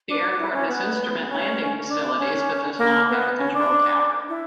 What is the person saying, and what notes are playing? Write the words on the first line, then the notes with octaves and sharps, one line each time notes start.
The airport has instrument landing facilities, but does not have a control tower.
D4
F#4
E4
C#4
B3
B3
C#4
D4
C#4
A#3
B3
C#4
D4
E4